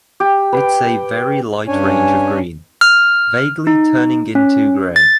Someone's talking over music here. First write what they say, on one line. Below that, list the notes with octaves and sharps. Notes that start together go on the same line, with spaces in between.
It’s a very light range of green, vaguely turning into grey.
G4
B4 G5
G2 C#4 D4 C#5 G#5
F6
D#4
C#4
A6